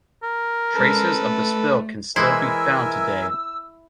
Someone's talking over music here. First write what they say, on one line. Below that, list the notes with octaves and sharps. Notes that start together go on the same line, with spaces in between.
Traces of the spill can still be found today.
A#4
G#3 C#4 A4 B4
A3
E3 G#3 E4 A#4 C5 E5 G#5 E6